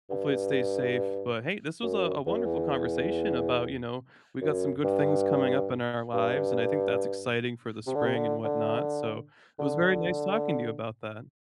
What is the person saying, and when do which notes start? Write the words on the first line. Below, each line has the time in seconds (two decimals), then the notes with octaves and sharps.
hopefully it stays safe, but hey, this was a a wonderful conversation about, you know, we got some good things coming up in our lives, and I think that's exciting for the spring and whatnot, so it was very nice talking to you about that.
0.10 G2
1.83 F#2
2.26 E2
2.35 F#2
2.45 E2
4.41 F#2
4.84 G2
6.14 G2
7.87 C3
7.95 D3
8.05 C3
8.15 D3
8.44 D3
9.59 D3